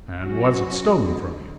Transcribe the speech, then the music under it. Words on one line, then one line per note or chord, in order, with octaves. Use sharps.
"And was it stolen from you?"
F#3 C#4 F#4
D3